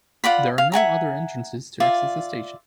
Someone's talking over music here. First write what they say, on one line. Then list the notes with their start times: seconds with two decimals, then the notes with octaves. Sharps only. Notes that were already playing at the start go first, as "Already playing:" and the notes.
There are no other entrances to access the station.
0.24 F4 D5 F#5 B5
0.58 F5
0.72 E5 F#5 G#5 A#5
1.80 F4 D5 E5